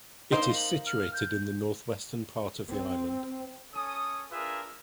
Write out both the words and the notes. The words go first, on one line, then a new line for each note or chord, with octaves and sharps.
It is situated in the northwestern part of the island.
A#3 D#4 C5 C6
F#7
F6
G6
C4
C#4 A4 G#5 D#6
D4 F4 G#4 A#4 B4 E5